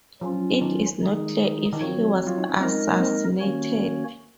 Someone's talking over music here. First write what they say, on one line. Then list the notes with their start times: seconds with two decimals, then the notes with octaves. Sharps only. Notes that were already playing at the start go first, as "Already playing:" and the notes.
It is not clear if he was assassinated.
0.21 F3 F#3 C#4 F4
0.61 D#3
1.01 D#3 G#3 D#4 G#4
1.73 D#3
1.81 F3 F#3 C4 F#4 C#5
2.27 F4
2.38 D#4
2.49 C#4
2.60 G#3 C4 D#4 A#4 D#5
2.89 A#3
3.00 C4
3.40 D#3 A#3 C#4 F#4 C#5